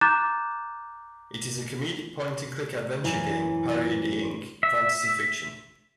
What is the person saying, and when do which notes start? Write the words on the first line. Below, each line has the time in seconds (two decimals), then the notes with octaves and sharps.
It is a comedic point and click adventure game parodying fantasy fiction.
0.01 A#5 D6 F#6 G6 A6 E7
3.04 F#2 E3
4.63 E5